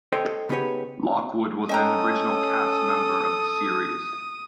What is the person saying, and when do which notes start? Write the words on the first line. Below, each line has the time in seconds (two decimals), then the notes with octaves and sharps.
Lockwood was an original cast member of the series.
0.12 A4 C5 C#5 D#5 G5
0.49 C#3 B3 D#4 G4 B4 C#5
1.69 C#4 A4 D#5 G5 A#5 D#6